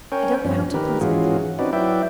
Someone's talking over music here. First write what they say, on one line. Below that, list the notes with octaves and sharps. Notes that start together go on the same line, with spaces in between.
I don't know how to put it.
C#4 A#4 C#5 G5 G#5
G2 F3
D#3 G4 A#4 B4
G#2 E3 C#4 F4 F#4 G#4
C4 C#4 D#4 F#4 B4 D5
F#3 E4 B4 D5 E5 G5